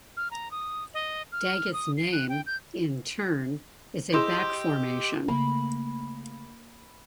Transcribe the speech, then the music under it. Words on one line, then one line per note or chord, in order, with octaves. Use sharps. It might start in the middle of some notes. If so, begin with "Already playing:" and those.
Daggett's name, in turn, is a back-formation.
F6
A#5
D#6
D#5
F6
D#6
C7
F#6
G5
G6
E4 G4 G#4 C5 D#5 E6 G6
C#3 A3 A#3 B5